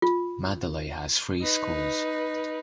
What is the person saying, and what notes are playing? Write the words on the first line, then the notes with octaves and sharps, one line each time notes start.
Madeley has three schools.
F4
D#4 B4